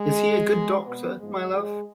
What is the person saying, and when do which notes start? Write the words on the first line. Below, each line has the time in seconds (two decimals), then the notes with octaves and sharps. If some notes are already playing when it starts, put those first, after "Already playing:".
Is he a good doctor, my love?
Already playing: G#3
0.20 G#2 D#3
0.53 B2
0.86 B2 B3
1.18 G#2 F3 G#3
1.52 G2 F3 G#3